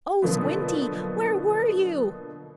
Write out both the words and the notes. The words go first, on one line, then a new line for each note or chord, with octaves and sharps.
"Oh, Squinty, where were you?"
B2 D3 F3 F#3 A#3 B3